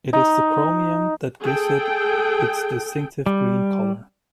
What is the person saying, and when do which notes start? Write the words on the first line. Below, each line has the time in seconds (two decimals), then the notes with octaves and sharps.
It is the chromium that gives it its distinctive green color.
0.13 D#4
1.42 G#4 A4 G5
3.26 G3